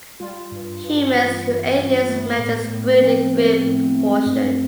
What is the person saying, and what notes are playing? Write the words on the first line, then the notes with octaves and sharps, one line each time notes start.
Humans who ate these medlars grew in great proportions.
G3 F4
G2
G2
E3
G3
G2
A3 B3
A2
A2
F3 C4
A3
A2
A3
G2